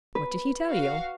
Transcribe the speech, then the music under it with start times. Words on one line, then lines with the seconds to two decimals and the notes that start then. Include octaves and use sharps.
"What did he tell you?"
0.15 B4
0.68 F#4 F5